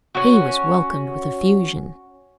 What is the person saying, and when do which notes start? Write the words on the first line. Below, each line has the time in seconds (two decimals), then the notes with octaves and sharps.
He was welcomed with effusion.
0.15 C#4 F#4